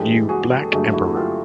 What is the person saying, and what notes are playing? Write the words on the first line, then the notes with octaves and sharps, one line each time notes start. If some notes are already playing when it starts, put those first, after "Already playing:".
You Black Emperor.
Already playing: G2 E3 G#3 G4 A4
F#4 G#4
A4
G2 D3 F#3 A3 F#4 G#4
E4 F#4
F4 G4